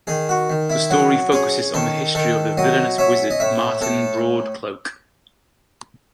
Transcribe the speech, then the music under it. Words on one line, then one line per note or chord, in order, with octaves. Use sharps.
The story focuses on the history of the villainous wizard Marten Broadcloak.
D#3 G#4
F#4
D#3
E4
F#3 F#4
C#4 G#4
D#3 A4
D#3 A4
F#3 D#5
C#4 E5
D#5
A2 E5
A2 A4